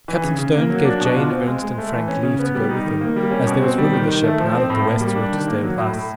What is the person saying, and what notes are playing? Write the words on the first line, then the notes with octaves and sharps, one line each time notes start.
Captain Stone gave Jane, Ernest, and Frank leave to go with him, as there was room in the ship now that the Wests were to stay with us.
E3
C#3
C#3
A#3
F#3
D4
B2
F4
C4
G#3
G#3
A3
E3
C#4
C#3
B3
G3
D#4
D#3
A#3
G3
C#4
B2
C4
G3
D#3
D#3
A3
F3
C4
A2
A#3
G3
D4
D#3
A#3
F#3
A2
A2